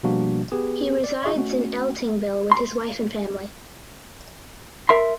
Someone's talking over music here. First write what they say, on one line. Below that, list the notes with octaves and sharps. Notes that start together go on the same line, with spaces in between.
He resides in Eltingville with his wife and family.
B2 F3 G3 A#3 D4 F#4
B3 G4 G#4 B4
D5
F4 G#4 D#5 E5 C6 C#6
A3 C#4 F#4
C6
A#4 E5 C6